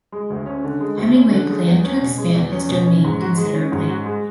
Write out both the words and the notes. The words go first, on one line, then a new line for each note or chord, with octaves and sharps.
Hemingway planned to expand his domain considerably.
G#3
D2
C#4
D3
G#3
D2
C#4
D3
G#3
E2
C#4
B2
G#3
E2
C#4
B2
C#4
G#2
F#4
G#3
C#4
G#2
F#4
G#3